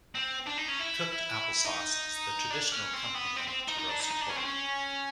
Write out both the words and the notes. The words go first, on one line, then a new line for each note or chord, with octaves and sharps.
Cooked apple sauce is the traditional accompaniment to roast pork.
C4
D4
D#4
C#4
E4
D#4
D4
C#4
C4
B3
C4
C4
D#4
D#4
D4
D#4
D#4
D4
C#4
C4
C#4